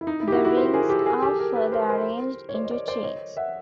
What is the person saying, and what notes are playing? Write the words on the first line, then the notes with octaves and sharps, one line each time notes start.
The rings are further arranged into chains.
E4
D#4
E4
G4
E4 F#4
E4 F#4
A#4 C5
G#4 A#4
G4 A4
A4
G#4 A#4
G4 A4
G#4 A#4
A4 B4
A#4 C5
A#4 C5
C#5
C5 D5
D#5
C5 D5
C5 D5
C#5 D#5
E5 F#5